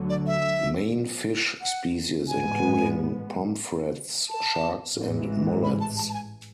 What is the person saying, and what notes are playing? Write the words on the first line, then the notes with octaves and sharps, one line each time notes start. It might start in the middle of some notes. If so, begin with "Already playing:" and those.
Main fish species including pomfrets, sharks and mullets.
Already playing: D2 D3 F#3
D5
E5
F#5
A1 G#2 G#3 B3 G#5
A5
A1 G#2 E3 G#3
B5
A5
A5
A5
G#5